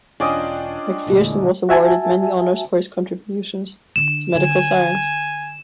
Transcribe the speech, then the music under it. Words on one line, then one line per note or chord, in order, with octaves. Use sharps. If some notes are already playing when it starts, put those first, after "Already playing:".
Macpherson was awarded many honours for his contributions to medical science.
E1 C#4 D4 F4 D5 D#5 G5
A#1 E2 A#2 D3 G#3 A3
F#4 E5 G#5 A5
D3 D4 E7
D3 G#5